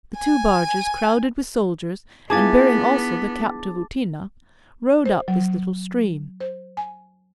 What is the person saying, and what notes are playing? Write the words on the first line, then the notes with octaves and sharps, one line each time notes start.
The two barges, crowded with soldiers, and bearing also the captive Outina, rowed up this little stream.
G#5
B3 D4 E4 F4 G#4 A5 D6 A6
C5
F#3
C5
G#5